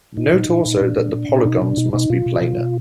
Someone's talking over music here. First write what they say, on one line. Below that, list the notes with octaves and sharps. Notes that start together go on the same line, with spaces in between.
Note also that the polygons must be planar.
A#2 D#4
A#2
A#2
A#2
A#2 D4
A#2
A#2
A#2
B2 D#4
B2 D4
B2 D#4
B2 D#4
B2 F4
B2
B2
B2